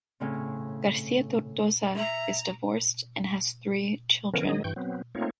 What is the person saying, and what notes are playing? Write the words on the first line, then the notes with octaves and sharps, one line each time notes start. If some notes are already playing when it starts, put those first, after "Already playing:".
García Tortosa is divorced and has three children.
A2 C#3 C4
E5 A#5
D3 E3 F3 B3 C#4 A#4
D#3 F#3 G#4 D#5
G2 E3 G5 C#6 G6
F#3 B3 C4
A3 A#3 C4 D#4 F4 C#5